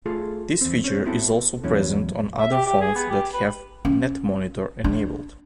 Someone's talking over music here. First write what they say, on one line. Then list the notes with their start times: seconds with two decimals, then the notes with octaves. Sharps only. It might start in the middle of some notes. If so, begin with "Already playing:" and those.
This feature is also present on other phones that have "netmonitor" enabled.
0.06 A3 F4 G#4 A4
0.61 E2 C4
0.84 C#4 C5
1.04 B3 C4 E4 F#4 A4
1.64 E2 A2 F#3 C#4 E4
2.39 E5
2.52 G4
2.66 G4
2.81 G#4
2.96 B3
3.10 G4
3.33 B4
3.85 C#4
4.84 D4